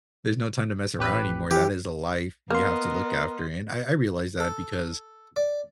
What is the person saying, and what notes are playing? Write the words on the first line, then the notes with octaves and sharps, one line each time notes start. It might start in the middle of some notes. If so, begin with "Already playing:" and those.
there's no time to mess around anymore, that is a life you have to look after, and I I realize that because
A1 G4 B4
E3 G4
A#3 B3 A#4 D#5 C6 F6
A4
D5